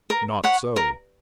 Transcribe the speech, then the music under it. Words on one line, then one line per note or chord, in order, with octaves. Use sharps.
Not so.
A#4
C#5 F#5 B5
A#4